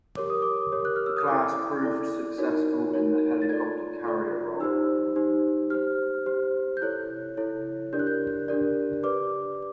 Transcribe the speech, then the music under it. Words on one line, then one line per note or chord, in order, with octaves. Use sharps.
The class proved successful in the helicopter carrier role.
G4 A#4 C#5 D6
D#6
D6
G4 A#4 C#5
F#6
F6
E6
D#6
E4 A4 D5 D6
E4 A4 D5
D#4 F#4 A#4 C#5
D#4 F#4 A#4 C#5
A6
F4 A4 D5 G#6
F4 A4 D5
D#4 G4 C5 E6
D#4 G4 C5
G4 C5 F6
G4 C5
G6
E4 A4 C#5 F#6
E4 A4 C#5
D4 G4 A#4 D5 G6
F#6
G6
D4 G4 A#4 D5
G4 B4 D5 D6